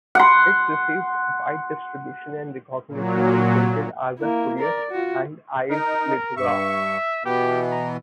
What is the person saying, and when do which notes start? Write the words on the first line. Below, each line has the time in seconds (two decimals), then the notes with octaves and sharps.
It received wide distribution and recognition when printed as a Currier and Ives lithograph.
0.15 F#5 C6
2.88 A#2 F#3
4.19 A#3 E4
4.59 A#4 D5
4.91 F4 F#4
5.71 D#4 A#4
6.37 G2 E5 C#6
7.25 B2 E3 B3 G4
7.71 A#5